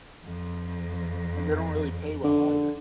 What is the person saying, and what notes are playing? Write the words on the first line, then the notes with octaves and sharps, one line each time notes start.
And they don't really pay well either.
F2
D3